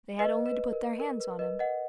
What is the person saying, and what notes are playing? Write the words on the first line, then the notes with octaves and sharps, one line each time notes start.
They had only to put their hands on him.
B4 D#5
B4
A#4
A#4
B4
B4 D#5
D#5 F#5